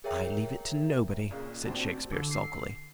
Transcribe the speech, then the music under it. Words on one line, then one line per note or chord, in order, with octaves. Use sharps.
"I leave it to nobody," said Shakespeare, sulkily.
G#4 A#4 C#5 E5 G5 A#5
A#2 C#3 F#6
A2 C4 D4 F#4 A5
D3
C7